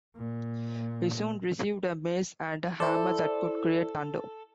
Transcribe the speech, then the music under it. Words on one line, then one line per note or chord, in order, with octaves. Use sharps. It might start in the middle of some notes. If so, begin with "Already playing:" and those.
He soon received a mace and a hammer that could create thunder.
A#2
E4 A4 C5 D5